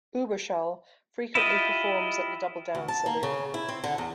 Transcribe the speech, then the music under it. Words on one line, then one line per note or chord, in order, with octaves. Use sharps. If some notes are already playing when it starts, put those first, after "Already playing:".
Uberschall frequently performs at the Double-Down Saloon.
E4 F4 G4 D#5
D2
A5
A#3
C#3
E4
C4
D3
E2